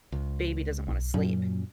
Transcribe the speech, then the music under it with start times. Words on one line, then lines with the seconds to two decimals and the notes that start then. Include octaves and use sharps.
baby doesn't wanna sleep,
0.12 C#2
0.88 B1
1.14 F#2 A#2 F#3 C#4